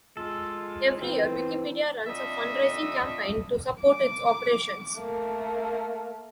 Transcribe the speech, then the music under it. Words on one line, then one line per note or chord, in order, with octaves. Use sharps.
Every year, Wikipedia runs a fundraising campaign to support its operations.
G#3 F4 A4
E3 B3 C4
F2 D3 D#5 E5
D6
A3 A#3